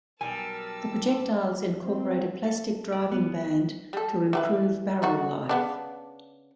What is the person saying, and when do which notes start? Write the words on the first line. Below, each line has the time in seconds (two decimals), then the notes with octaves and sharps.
The projectiles incorporate a plastic driving band to improve barrel life.
0.21 B1 G3 A#4 G#5 A5 E6
1.84 C4
2.45 A4
2.92 D5
3.11 B3
3.93 G3 A4
4.33 E3 G4 B4
5.02 D4 D#4 F#4
5.49 C#3 B3 D4